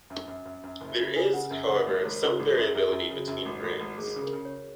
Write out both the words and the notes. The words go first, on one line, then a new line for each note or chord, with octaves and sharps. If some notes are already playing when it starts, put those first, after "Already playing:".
There is, however, some variability between brands.
F#2
F#2
F#2
F#2
F#1
C#3
C#3 G#5
C#3 F#5
F#2
F#1 F#5
G#1 C#5
G#1 A#4
C#3 F#4
G#1 F#4
F#2 A#4
F#2 G#4
F#2 F#4
C#3 F#4
F#2 F#4
G#1
G#1 F#4
G#1
G#1 G#4
C#3
A#4
C#3
C#5